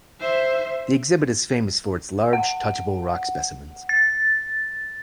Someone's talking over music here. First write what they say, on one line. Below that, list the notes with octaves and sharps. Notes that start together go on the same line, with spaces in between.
The exhibit is famous for its large, touchable rock specimens.
C5 E5
F#5
A6